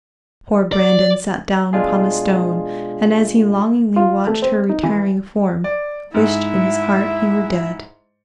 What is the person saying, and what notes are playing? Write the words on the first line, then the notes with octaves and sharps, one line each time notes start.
Poor Brandon sat down upon a stone, and, as he longingly watched her retiring form, wished in his heart he were dead.
D5
B2 G#3 D4 F4 G#4
F4
A3
C4
D#4
E3
D5
G#2 E4 E5